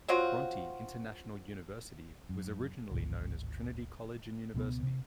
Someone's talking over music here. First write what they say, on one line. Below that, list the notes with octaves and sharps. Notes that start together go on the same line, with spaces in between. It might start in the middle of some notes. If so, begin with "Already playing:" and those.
Bronte International University was originally known as "Trinity College and University".
F#3 C4 F4 F#4
F#2
D1 G#1 D2
C#2 B2 A#3 B3
C3